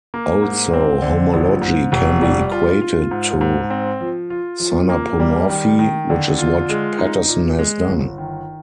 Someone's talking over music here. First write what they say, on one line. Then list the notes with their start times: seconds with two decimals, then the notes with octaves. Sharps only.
Also, homology can be equated to synapomorphy, which is what Patterson has done.
0.14 A#3
0.42 G#2
0.73 C4
1.02 D3
1.33 A#1
1.62 G#2
1.92 F1
2.22 G3
2.52 F4
2.82 F4
3.11 G#2
3.41 G#2
3.70 C4
4.01 F3
4.30 F4
4.60 F3
4.89 A#3
5.20 G3
5.49 D#3
5.79 D#3
6.10 D3
6.38 F4
6.69 G#3
6.99 D#4
7.28 A#2
7.59 G#3
7.88 G1
8.18 D#3